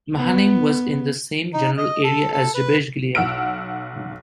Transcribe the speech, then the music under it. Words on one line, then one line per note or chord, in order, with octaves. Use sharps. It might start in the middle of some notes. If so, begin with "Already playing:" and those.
Mahanaim was in the same general area as Jabesh-gilead.
B3
D#4
D#5
A4
A4
B4
B1 F#5 E6 F6 D7